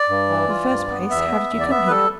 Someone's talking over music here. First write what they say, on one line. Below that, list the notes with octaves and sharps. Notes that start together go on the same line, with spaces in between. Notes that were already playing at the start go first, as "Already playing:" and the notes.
"In the first place, how did you come here?"
Already playing: D5
G2
E3
F4
G2
B3
E2 E5
B3
E2
D5
B3 E5
B4
G3 A4